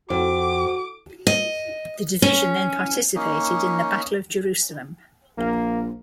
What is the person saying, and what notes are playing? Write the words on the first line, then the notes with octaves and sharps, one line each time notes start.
The division then participated in the Battle of Jerusalem.
F2 F#4 D6
D#5
C#4
A#3 C#4 D#4
A#1 A#3